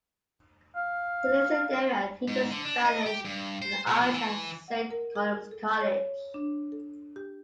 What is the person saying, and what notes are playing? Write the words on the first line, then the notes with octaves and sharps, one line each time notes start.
He lives in Derry and teaches Spanish and Irish at Saint Columb's College.
F5
G#2
D3
D4
D#5
G4
G2
C5
B2
F3
E3
F#5
A#4
G#4
A4
C#5
D4
A4
G4